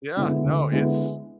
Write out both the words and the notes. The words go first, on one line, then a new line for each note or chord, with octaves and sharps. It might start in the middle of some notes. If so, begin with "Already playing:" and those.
Yeah, no, it's
D3 G#3 B3 E4
D2
D3 G#3 B3 E4